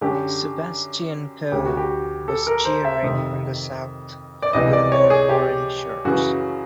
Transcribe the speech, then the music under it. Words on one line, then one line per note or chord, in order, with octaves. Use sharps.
Sebastion Coe was cheering on the South, who wore Orange shirts.
F#2 D3 G4
D2 D3 G4
F#4
G4
A4
A#4
C5
E5
F2 C3 D#3
D5
C#2 C3 E3 D#5
D5
C#5
G#4
G4
F#2 C#3 E3 F#4